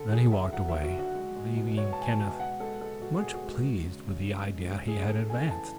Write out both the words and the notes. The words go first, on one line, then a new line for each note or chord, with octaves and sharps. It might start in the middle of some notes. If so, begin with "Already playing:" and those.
Then he walked away, leaving Kenneth much pleased with the idea he had advanced.
Already playing: D3 A4
F#3 G#4
D3 E5
F#3 F#5
E5
D3
F#4
D3 F#4
G#3
G#3
B2
B2 C#5
A5
G#3 G#5
A5
B2
G#5
G#3 F#5
G#3 A4
G#3 A4
B2 F#4
G#4
B2
F#4
G#3 F#4
G#3
C#3
C#3
G#3
G#3
C#3
A3 G#4
A3 A4
C#3 G#5
E3 A5